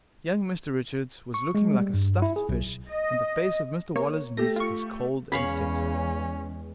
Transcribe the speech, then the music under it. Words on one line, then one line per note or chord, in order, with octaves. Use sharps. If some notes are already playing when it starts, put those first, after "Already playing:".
Young Mr Richards was looking like a stuffed fish, and the face of Mr Waller's niece was cold and set.
C#6
G#3
G3
G2
E4
G#4
B1
D#5
A#3 C#5
A3 G4 A#6
F4 C#6
E2 C#3 G#3 C#4 C#5 F5 B5